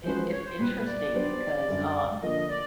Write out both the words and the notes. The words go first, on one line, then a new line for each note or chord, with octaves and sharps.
it's it's interesting because, um,
F3 G#3 C#4 F#4 B4 C5
C#5
C5
A#2 G3 B3 B4
D5
F#3 B3 D4 G4 C5
F#2 D3 G3
D3 F3 A#3 D#5
D5